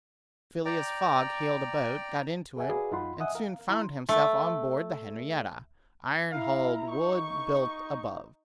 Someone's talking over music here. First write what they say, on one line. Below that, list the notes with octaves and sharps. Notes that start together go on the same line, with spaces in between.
Phileas Fogg hailed a boat, got into it, and soon found himself on board the Henrietta, iron-hulled, wood-built above.
D5 G5 A#5
G#4 A#4 E5 F#5 G#5
F#4 G#4 A#4 B4 D5 F5
F#2 D#4 F4 F#5 B5 C6
D#5 E5 F#5 G#5 D#6
A#4 F5
E4 A#5 C6
A3
E4 F5 A#5
D#4 C#6